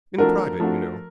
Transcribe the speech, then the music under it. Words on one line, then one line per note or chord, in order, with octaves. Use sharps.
"In private, you know."
F3 A3 D4 F#4 A#4
F3 A3 D4 F#4